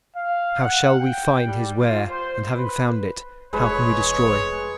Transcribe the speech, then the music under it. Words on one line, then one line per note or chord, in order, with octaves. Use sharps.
How shall we find his where; and having found it, how can we destroy?
F5
F#5
G5
G3
F4
C5
B4
F1 G#3 B4 C#5 B5